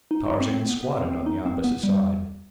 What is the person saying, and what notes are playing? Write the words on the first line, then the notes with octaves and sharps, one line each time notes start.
Tarzan squatted on the opposite side.
D#4
D#4
C4
C4
B3
B3
C4
C4
D#4
C4
B3
G3